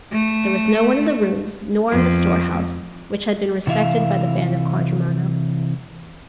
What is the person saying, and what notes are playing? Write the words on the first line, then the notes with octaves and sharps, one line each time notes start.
There was no one in the rooms nor in the storehouse, which had been respected by the band of quadrumana.
A3
F2
C3 E3 E4 E5 F5